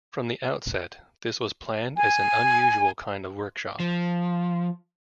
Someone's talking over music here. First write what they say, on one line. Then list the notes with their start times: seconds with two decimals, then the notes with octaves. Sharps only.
From the outset, this was planned as an unusual kind of workshop.
1.97 G#5
3.80 F3